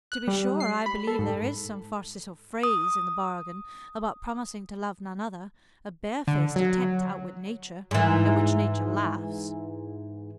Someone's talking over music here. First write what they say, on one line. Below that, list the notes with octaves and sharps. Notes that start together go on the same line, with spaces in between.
To be sure, I believe there is some farcical phrase in the bargain about promising to love none other,--a bare-faced attempt to outwit Nature,--at which Nature laughs.
F#6
G3
C7
B5
A4
G#2
D#6
D3
F#3
G#2 E3